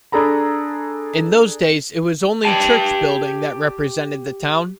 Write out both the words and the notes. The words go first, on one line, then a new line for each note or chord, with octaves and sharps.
In those days, it was only church building that represented the town.
D4 G#4 A4 A#5 B5
G4 G5 A5